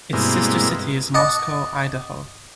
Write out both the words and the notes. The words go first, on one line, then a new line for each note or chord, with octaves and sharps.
Its sister city is Moscow, Idaho.
G2 B2 G#3 A#3 C4 E4
D#5 F#5 A5 D6